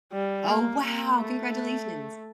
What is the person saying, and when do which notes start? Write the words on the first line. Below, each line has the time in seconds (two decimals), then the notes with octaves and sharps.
Oh, wow! Congratulations.
0.12 G3
0.48 A#3
0.83 A#3
1.19 A3